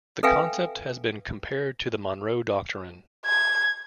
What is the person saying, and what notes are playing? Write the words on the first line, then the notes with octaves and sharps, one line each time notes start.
The concept has been compared to the Monroe Doctrine.
A4 B4 E5 F5 G5 G#5
G#6